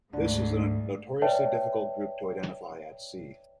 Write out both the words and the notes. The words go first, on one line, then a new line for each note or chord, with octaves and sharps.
This is a notoriously difficult group to identify at sea.
D2 G#2 D3 D4
B4 C#5 D5 E5 G5 A5